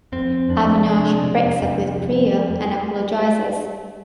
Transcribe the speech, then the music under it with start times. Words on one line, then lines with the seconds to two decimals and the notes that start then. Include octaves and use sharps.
Avinash breaks up with Priya and apologises.
0.12 F2 C4
0.49 F2 D4
0.87 C3 D4
1.24 C3
1.62 F2
1.98 F2